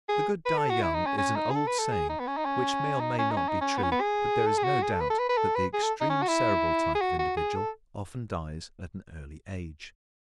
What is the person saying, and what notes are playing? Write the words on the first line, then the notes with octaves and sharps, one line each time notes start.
"The good die young" is an old saying which may or may not be true. But there is no doubt that the extreme Cerebral type of individual often dies at an early age.
G#4
B4
A4
F#4
E4
D#4
C#4
C#4
D#4
G#4
A4
B4
A4
G#4
D#4
B3
C#4
D#4
C#4
D#4
C#4
D#4
C#4
D#4
C#4
B3
C#4
B3
G#4
A4
G#4
F#4
G#4
A4
B4
A4
B4
B4
A4
B4
G#4
A4
D#4
C#4
F#4
E4
G#4
F#4
F#4
G#4
A4